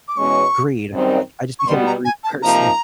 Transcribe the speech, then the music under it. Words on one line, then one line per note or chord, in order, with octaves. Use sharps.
greed, like, I just became a greedy person,
D6
E2 B2 G#3 C#4 C#6
F#2 D#3 G3 C4 D#4
C#6
B2 G3 B3 C6
A#5
G#5
A5
C3 F3 A#3 D#4 A#5